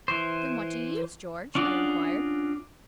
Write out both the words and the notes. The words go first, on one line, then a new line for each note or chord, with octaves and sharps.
"Then what do you use, George?" I inquired.
E3 C5
C#4 D4 F4 F#4 G#4